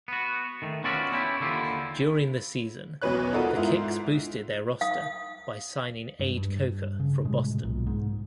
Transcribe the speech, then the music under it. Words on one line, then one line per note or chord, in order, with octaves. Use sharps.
During the season, the Kicks boosted their roster by signing Ade Coker from Boston.
B3 F#4
D#3 A3
B3 C#4 F4 F#4 D5 E5
C#4 E4 G4
D#2 D3 E4 F4 G4
B1 E2 B2 B4 C#5 F#6
D#4 F4 F#4 A4 A#4
G#2 E4 F4
F5 D#6
G2
G2
C#3
A2 C3 G#3
B1 A#2
G#2